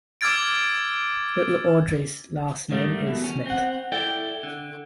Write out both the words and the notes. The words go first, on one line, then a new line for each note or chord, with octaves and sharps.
"Little Audrey"'s last name is Smith.
D6 E6 F6 G#6 A6 D7
G#2 D#3 G3 A3
E2 B2
C#4
C4 F#5
E4 A4 D5 G5
D3